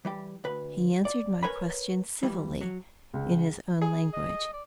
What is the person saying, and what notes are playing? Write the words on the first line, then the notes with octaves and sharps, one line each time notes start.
He answered my question civilly in his own language.
E3 G3 G4
D2 B4
D5
A#4 B4 C#5 G#5 B5
F2 E3 G3
F#3
C#2
G#4
D#5
D5